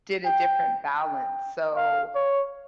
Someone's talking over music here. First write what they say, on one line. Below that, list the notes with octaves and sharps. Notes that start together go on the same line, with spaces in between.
did a different balance. So,
G5
G5
F5
C#5